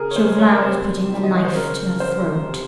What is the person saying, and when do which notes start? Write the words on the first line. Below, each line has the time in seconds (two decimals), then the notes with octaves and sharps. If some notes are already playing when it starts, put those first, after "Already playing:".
Chauvelin was putting the knife to her throat.
Already playing: C#3 G#4 A#4
0.11 C#5
0.15 F3 C5
0.38 C#5
0.51 A#4
0.62 C3 C5
1.08 D#3 F#3
1.23 D#5
1.34 C#5
1.45 C5
1.55 C#3 A#4
2.00 F3 C5
2.48 C3